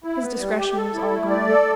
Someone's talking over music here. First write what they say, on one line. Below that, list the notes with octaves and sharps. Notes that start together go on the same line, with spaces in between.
His discretion was all gone.
E4
B3
G3
G4
A4
E4
A3
D5
A4